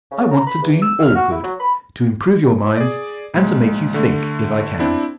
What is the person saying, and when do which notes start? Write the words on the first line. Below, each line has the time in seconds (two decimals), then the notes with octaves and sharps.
I want to do you all good--to improve your minds and to make you think, if I can.
0.12 C#3
0.32 A#5
0.47 B5
0.63 E2
0.82 E6
1.03 F6
1.16 F#4
1.32 E4
1.44 F#3
1.60 B5
2.77 G#4 D5
3.34 A#1 G#3
3.94 D3 A3
4.80 C4 D4 E4